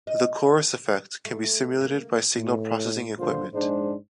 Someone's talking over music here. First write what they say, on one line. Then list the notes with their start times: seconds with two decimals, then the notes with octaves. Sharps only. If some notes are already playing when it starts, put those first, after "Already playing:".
The chorus effect can be simulated by signal processing equipment.
0.07 D#5
1.25 A3
1.81 A#3
2.35 A2
3.18 A#1 G2 A#2 D3 F4 C5
3.53 A#1 G#2 G#3 D4 C5